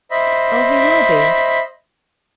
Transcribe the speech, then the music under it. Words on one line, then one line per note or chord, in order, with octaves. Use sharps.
'Oh, he will be.
C5 D#5 E5 B5